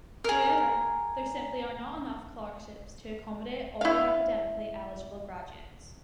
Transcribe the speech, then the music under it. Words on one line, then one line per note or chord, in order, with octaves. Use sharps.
However, there simply are not enough clerkships to accommodate all the academically eligible graduates.
G#4 A#4
E4 F5